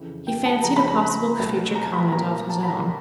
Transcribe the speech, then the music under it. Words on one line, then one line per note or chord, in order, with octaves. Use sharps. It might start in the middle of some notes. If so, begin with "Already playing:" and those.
He fancied a possible future comment of his own.
Already playing: F2 C#3 E3
G5
A5
C#2 C#3 F3 A#5
B5
A#5
C2 B2 F#3 A3
A#5
B5
C2 A#2 F#3 A#3 A#5
A5
B5
A#5